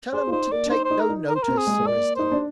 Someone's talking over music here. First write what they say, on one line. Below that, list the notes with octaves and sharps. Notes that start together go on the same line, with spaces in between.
Tell 'em to take no notice, Sir Risdon.
G#4 C5
F4
D#4 C5
A#3 D5
D4
D#4 C5
C5
D#4
A#4
D#4
A#4
C5
A#4
C4
G#4
G#3
G#3
A#3 D5
D#4 C5
D4